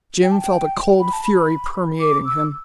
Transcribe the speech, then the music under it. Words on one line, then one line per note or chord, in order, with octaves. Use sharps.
Jim felt a cold fury permeating him.
G5
A5
G5
B5
A5
B5
D6
E6